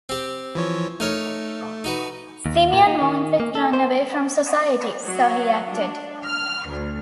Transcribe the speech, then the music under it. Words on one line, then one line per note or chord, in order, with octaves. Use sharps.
Simeon wanted to run away from society, so he acted.
C4 G4
E3 F3 C#5
A3 D#4 A#4 C#5
D#4 F#4 B4
D#2
A#2
D#4
D#3
A#3
A4
C5
F#3
D4
F6
D2